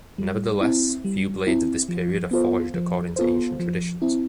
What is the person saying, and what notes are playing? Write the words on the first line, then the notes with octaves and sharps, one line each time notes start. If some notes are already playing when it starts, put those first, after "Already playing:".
Nevertheless, few blades of this period are forged according to ancient traditions.
G3
C4 E4
G3
C4 E4
F3
B3 F4 A4 C5
F3
B3 F4 A4 C5
F3
C4 E4